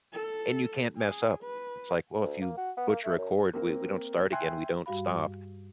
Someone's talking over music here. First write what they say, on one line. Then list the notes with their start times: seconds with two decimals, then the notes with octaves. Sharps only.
and you can't mess up, it's like, well, if you butcher a chord, we we don't start again, we don't stop,
0.13 A4
0.98 G#4
1.43 B4
2.22 D2
2.42 A#3
2.57 F#4
2.77 B3
2.89 A#3
3.04 A3
3.18 F#2
3.53 A#3 C4 A#4
4.32 E5 G5 G#5 C6 F#6
4.86 G2 G3 F#4 F5 B5